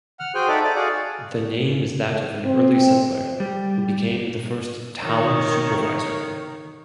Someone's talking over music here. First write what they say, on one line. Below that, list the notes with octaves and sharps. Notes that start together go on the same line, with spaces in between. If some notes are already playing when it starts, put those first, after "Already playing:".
The name is that of an early settler, who became the first Town Supervisor.
F#5 F6
F#4 G#4 C5 G5 G#5
D#4 A4 D5 E5 F#5 D6
D5 D6
F#4 G#4 D5 F5 F#5
C4
G3
D#3 C#5